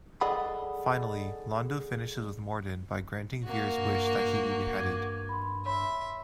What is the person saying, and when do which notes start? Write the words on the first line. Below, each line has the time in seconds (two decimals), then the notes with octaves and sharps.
Finally, Londo finishes with Morden by granting Vir's wish that he be beheaded.
0.21 G#4 A4 D5 D#5 F#5 B5
3.44 A#3 F#4
3.78 G2
4.77 D6 G#6 D#7
5.29 B5 C6
5.66 C#5 E5 B5 C6